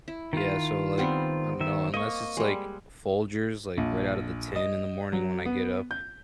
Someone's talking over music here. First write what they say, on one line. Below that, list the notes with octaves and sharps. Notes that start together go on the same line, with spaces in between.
Yeah, so, like, I don't know, unless it's, like, Folgers, like, right out of the tin in the morning when I get up,
E4
D#3 F4
G3 B3 C4
D#3 E5
A#3 D#5 C#6
G3 G#3
A#1
D#5
F#3
B3
G6